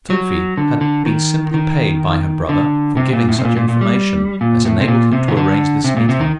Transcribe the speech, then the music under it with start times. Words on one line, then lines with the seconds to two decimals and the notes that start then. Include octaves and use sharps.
Sophie had been simply paid by her brother for giving such information as enabled him to arrange this meeting.
0.10 F#3
0.58 D3
0.81 D3
1.06 D#3
1.54 D#3
2.49 D3
2.97 C3
3.13 A#2
3.29 A2
3.39 C3
3.45 A#2
3.57 A#2
3.68 A#2
3.81 G3
4.41 A#2
4.65 A2
4.80 C3
4.88 A#2
5.13 C3
5.28 D#3
5.37 D3
5.84 C3
5.97 A#2
6.09 C3
6.20 D#3